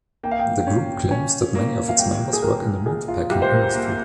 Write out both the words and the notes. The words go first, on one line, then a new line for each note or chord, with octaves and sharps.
The group claims that many of its members work in the meat-packing industry.
A#3 G5
F5
G5
C#4
C#4 G#5
A#3
F5
C2 G5
G#4
C2 A#4
A#2 G#4
F4
C2 G4
C5
A#4
A#3